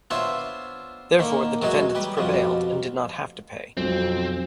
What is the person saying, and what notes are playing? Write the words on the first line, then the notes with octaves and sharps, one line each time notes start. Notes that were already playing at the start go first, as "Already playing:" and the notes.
Therefore, the defendants prevailed, and did not have to pay.
B3 D4 F4 C5 C#5 E5
D3 D#3 A#3
E2 F#3 G#3 D#4 F#4 G#5
G3 G4 B4
F2 B2 F3 G3
B1 F2 C4